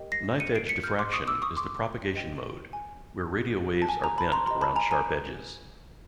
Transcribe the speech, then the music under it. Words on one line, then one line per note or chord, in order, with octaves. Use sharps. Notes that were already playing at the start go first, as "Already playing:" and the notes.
Knife-edge diffraction is the propagation mode where radio waves are bent around sharp edges.
Already playing: G4 A#4 D#5 G5
A#6 C7
C#7 D#7
C7 D7
B6 C#7
F6 G6
C6 D6
C#6 D#6
D6 E6
C#6 D#6
C6 D6
B4 D#5 G5
G#5
A5
G#5
G#5 A#5
A5 B5
A#5 C6
G4 C5 D#5 A#5 C6
A5 B5
G#5 A#5
G#5 A#5